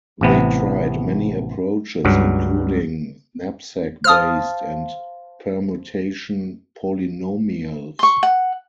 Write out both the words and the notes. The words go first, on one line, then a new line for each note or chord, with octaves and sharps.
They tried many approaches including "knapsack-based" and "permutation polynomials".
A1 C3 B3
C#2 G2 F#3
C5 F5 A5 D#6 F6
C6 C#6
F#5